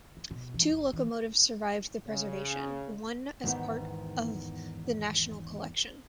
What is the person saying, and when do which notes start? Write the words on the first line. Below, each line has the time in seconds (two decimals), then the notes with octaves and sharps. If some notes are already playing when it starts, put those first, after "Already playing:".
Two locomotives survived into preservation, one as part of the National Collection.
0.17 E3
0.31 B2
0.54 E3
0.70 F#1
0.93 E3
2.07 C#3
3.44 E2 G#2 D#3 B3